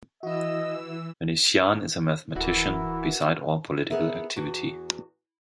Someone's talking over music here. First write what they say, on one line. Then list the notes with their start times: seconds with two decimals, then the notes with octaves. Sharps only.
Venetiaan is a mathematician beside all political activity.
0.23 E3 E4 F#4 D#5 E6
2.36 D1 E3 E4 F#4 A#4
3.90 B3 G#4 A#4 E5
4.36 E2 F#4